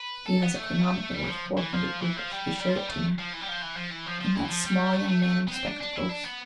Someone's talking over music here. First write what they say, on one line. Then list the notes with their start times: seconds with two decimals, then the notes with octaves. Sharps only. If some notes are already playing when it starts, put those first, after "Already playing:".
"He has a chronometer worth four hundred roubles; he showed it to me." And that small young man in spectacles....
Already playing: B4
0.26 A4
0.42 B3
0.56 A3
1.14 G3
1.22 E3
1.28 F3
1.57 E3
1.73 F3
2.01 E3
2.16 F3
2.31 G3
2.60 G3
2.69 F3
2.75 G3
2.88 A3
3.18 F3
3.33 E3
3.41 G3
3.48 F3
3.62 E3
3.76 F3
3.90 E3
4.06 F3
4.21 F3
4.35 E3
4.49 F3
4.64 G3
4.93 A3
5.08 A3
5.22 A3
5.48 B3
5.51 C4
5.66 D4
5.80 D4
5.96 E4
6.09 D4
6.25 B3